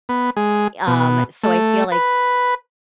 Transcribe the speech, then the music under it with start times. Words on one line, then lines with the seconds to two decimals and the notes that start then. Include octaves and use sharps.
Um, so I feel like,
0.09 B3
0.37 G#3
0.87 B2
1.44 A3
1.92 B4